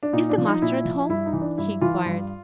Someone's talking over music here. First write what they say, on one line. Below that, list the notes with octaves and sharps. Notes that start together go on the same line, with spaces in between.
"Is the master at home?" he inquired.
D4
A#2 D#4
D4
F3
D#4
A#2 E4
F3
G2 E4
D#4
E3
D4
G2 E4
E3 F4
G2